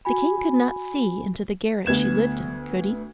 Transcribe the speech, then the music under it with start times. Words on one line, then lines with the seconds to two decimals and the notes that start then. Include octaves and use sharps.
The king could not see into the garret she lived in, could he?
0.05 F#4 G#5 B5
1.86 D2 B3 G#6 E7